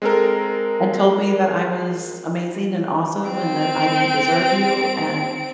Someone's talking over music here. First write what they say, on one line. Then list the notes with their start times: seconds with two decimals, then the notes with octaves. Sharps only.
and told me that I was amazing, and awesome, and that I didn't deserve you, and"
0.02 G#3 C4 A4 A#4
3.28 C4 D7